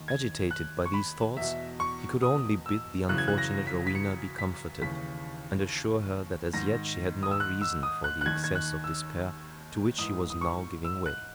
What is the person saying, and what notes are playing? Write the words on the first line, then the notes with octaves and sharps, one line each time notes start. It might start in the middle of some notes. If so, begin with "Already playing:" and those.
Agitated by these thoughts, he could only bid the unfortunate Rowena be comforted, and assure her, that as yet she had no reason for the excess of despair to which she was now giving way.
Already playing: D#2 D#3
G#6
F#6
C#6
B5
E2 B2 E5
C#6
D#6
E6
F#2 C#3 E3 F#6
G#6
F#6
A#6
B6
B6
C#7
B6
D#2 C#3 E3 B6
G#2 D#3 A#6
D#6
E6
F#6
E6
D#6
F#6
F#6
D#2 D#3 G#6
G#6
F#6
E6
G#2 E3 D#6
D#6
C#6
E6
F#6